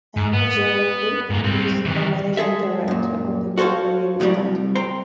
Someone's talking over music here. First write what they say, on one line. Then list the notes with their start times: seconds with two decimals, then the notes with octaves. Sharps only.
M Ziaul Huq is the managing director of the company respectively.
0.17 G#2
0.33 B3
1.30 G#2 A#3
1.44 G3 C4
1.85 D#3 E3
2.37 G#3 G#4 A4 E5
2.88 F#2 A#2
3.58 F#4 A4 C5 C#5 F5
4.20 C2 A2 F#3 G3
4.34 C2
4.75 C5 G5 A#5